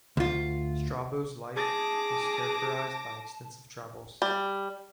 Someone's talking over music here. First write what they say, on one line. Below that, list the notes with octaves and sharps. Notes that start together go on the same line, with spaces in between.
Strabo's life was characterized by extensive travels.
D2 F4
G#4 A5 D6 A#6
G3